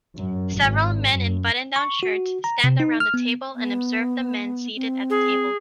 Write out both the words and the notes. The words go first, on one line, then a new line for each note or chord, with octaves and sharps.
Several men in buttondown shirts stand around a table and observe the men seated at the table.
F#2
G#1
F#2
C#6
F#4
A#5
C3
D#4
F6
B3
B3
C4
G#4